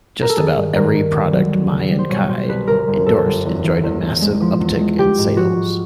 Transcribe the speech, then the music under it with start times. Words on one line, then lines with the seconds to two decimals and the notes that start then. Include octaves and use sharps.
Just about every product Mie and Kei endorsed enjoyed a massive uptick in sales.
0.22 A#4
0.30 A4
0.37 D#3 G#4
0.56 G2
0.75 G2 A#4
0.95 D#3
1.14 D2
1.32 F#3
1.53 F#3
1.71 C#3
1.91 G3
1.99 C5
2.09 B2 C#5
2.23 C#5
2.29 B2 C5
2.49 C2 B4
2.68 G1 A#4
2.88 G1
3.07 F#2 A4
3.25 G1
3.45 E2
3.64 E3
3.83 E2
4.03 E2
4.21 G#3
4.42 F3
4.60 E2
4.80 G#3
4.98 F3 G4
5.18 G#2
5.37 F3 F#4
5.56 G#2